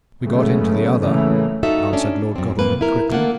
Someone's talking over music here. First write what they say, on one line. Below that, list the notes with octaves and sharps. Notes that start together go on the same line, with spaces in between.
"We got into the other," answered Lord Godalming quickly.
C#3 F#3 G#3 A3 B3
A2 C#3 E3 F#3 A3 A#3
D#4 F4 F#4 A4 E5
C#4 D4
F#2 C4
F2 A#3 B4
E4 A#4
D3 G3 A3 A#3 F4 F#5